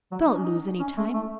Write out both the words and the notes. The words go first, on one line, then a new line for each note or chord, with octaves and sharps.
Don't lose any time.
F#3
D#4
C#4
D#4
C#4
A3
A3